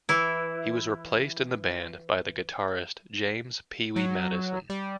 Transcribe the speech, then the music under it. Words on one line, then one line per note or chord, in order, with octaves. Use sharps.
He was replaced in the band by the guitarist James "Pee Wee" Madison.
E3 E4
F#3
G3